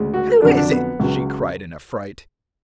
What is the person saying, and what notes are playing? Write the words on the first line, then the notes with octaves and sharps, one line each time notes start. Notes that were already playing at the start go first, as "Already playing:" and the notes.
"Who is it?" she cried in affright.
Already playing: D2 C#3 G#3
F#4
F2 D3 F#3 D4
D4
B3
C#2 C#3 F#3